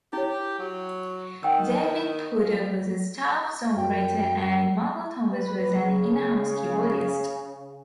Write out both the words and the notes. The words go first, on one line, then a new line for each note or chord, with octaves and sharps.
David Porter was a staff songwriter and Marvell Thomas was an in-house keyboardist.
E4 G4 C#5
F#3
D#3 F#5 G5 E6
F3
F#2 G5
B4
C#3